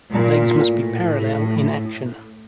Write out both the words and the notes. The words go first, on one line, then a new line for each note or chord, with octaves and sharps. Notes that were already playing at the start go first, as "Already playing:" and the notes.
Legs must be parallel in action.
A#2
A2